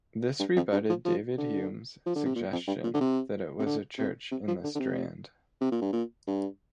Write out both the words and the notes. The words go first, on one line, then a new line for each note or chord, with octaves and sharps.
This rebutted David Hume's suggestion that it was a church in the Strand.
G2
F2
G2
F3
F3
D3
F3
D3
C3
A#2
F2
G2
A#2
D3
C3
C3
D3
C3
C3
F3
D3
D3
C3
C3
A#2
G2
A#2
G2